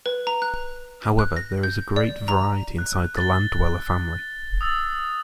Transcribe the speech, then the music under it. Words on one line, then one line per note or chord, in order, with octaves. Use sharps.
However, there is a great variety inside the landdweller family.
B4
A#5
F#6
F#6
A#6
G6
D5
A#5
F#6
A6 G7
D#6 E6 A6